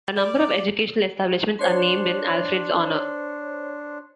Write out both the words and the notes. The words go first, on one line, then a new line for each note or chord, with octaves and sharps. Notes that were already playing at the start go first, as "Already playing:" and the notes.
A number of educational establishments are named in Alfred's honour.
D5
D4 C5 C#5 C6